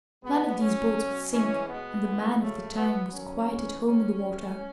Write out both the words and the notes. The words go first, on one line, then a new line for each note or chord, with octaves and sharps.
None of these boats could sink, and the man of the time was quite at home in the water.
B2 G#3 B3
A2 F#3 C#4
B2 F#3
F#2 E3 G#3 C#4
B2 G#3 B3
F#2 E3 G#3
F#2 C#3 F#3 A3
A2 F#3 B3
F#2 D#3 F#3 C#4
G#2 E3 G#3
G#2 D#3 G#3 C#4
A2 E3 G#3